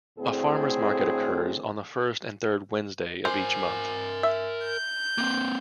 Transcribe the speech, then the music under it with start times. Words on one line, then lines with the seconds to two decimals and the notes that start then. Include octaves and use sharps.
A farmers' market occurs on the first and third Wednesday of each month.
0.19 D2 A2 C4 G#4
3.25 A#4 C5 G#5
4.23 E5
4.64 G6
5.18 A#3 C4